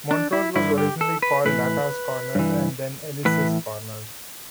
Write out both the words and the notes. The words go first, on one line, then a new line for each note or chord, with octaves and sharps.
Montrose was originally called Latta's Corners and then Ellis' Corners.
D4
E4
G2 D3 E4
G4
A4
B4
A2 E3 B4
G2 E3
A2 E3 B4